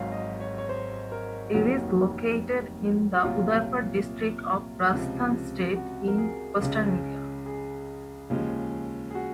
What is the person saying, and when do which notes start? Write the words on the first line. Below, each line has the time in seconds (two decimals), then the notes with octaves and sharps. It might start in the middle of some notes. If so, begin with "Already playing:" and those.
It is located in the Udaipur District of Rajasthan State in western India.
Already playing: G#1 G#2 F#3 F5
0.12 D#5
0.40 C#5
0.58 C#5
0.69 C5
1.12 A#4
1.54 F1 D#2 D#3 F#3 A#3 F#4
3.16 F#4
3.23 C2 A#2 F#3 F4
4.92 C#2 C3 F3
5.76 F#4
6.08 A#4
6.18 G#4
6.61 C#2 C#3 G#3
7.46 G#4
8.30 D#2 C#3 F3 G#3
9.11 G#4
9.15 F#4